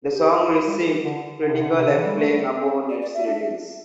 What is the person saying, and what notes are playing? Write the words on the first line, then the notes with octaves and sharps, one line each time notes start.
The song received critical acclaim upon its release.
G4
E4
E4
E4
G3 E4
A4
E3
G4
D3
D3
C3
D3
C3 G4
D3
E3 A4
G3
A3
C4
D5
D5
E5
D4